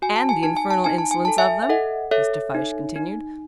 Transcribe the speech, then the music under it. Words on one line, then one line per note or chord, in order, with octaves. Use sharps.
"And the infernal insolence of them," Mr. Fyshe continued.
F#4 G#5
A5
G#5
D#4 A5
G#5
A5
D#4 G#5
A5
G#5
A4 A5
E5 G#5
E5
A4 D#5 F#5
A4 C#5 E5
D#4
D#4